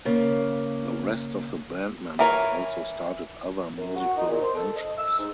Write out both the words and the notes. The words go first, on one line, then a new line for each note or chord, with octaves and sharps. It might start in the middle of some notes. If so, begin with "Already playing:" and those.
The rest of the band members also started other musical ventures.
C#3 A#3
E3 A#4 C#5
F#2
F#4
D#4
A#2
C5
A4
D#5
E6
G#2